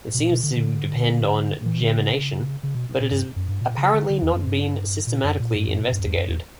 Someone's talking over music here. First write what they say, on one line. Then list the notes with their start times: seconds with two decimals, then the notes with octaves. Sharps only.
It seems to depend on gemination, but it has apparently not been systematically investigated.
0.14 B2
0.19 A#2
0.31 B2
0.43 D3
0.56 D3
1.65 E3
1.81 D3
1.98 C#3
2.63 C#3
2.75 B2
3.00 A#2
3.12 G2
3.36 F#2
3.48 G2
3.61 A#2
3.77 C#3
3.93 D3
4.10 D3
4.22 E2
4.34 F#2
4.46 G2
5.07 A#2
5.24 F#2
5.40 A#2
5.56 G2
5.68 F#2
5.80 A#2
5.92 G2
5.99 F#2
6.05 E2
6.17 F#2
6.29 E2